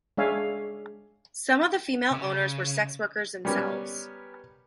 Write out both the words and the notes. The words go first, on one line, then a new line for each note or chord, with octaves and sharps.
Some of the female owners were sex workers themselves.
G#3 D4 C#5 E5 F5 G#5
C#3
G3 B3 C#4 G4 A#4